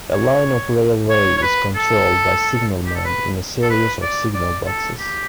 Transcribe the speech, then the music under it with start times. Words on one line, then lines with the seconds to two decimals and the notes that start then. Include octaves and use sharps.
A line of railway is controlled by signalmen in a series of signal boxes.
0.13 C#5
1.10 C#5
1.37 C#5
1.42 B4
1.75 A4
2.86 G4
2.95 A4
3.05 B4
3.62 A4
3.70 B4
4.02 D5
4.35 D5
4.66 A4
4.99 G4